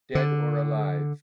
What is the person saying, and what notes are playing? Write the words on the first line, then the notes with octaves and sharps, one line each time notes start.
Dead or alive.
D3